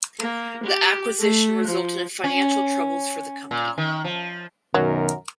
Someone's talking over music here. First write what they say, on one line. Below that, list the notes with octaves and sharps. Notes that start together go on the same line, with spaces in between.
The acquisition resulted in financial troubles for the company.
A#3
G4
A3
F3
C#4
A#2
D#3
F3
F#2 B2 D#3 F#3 A#4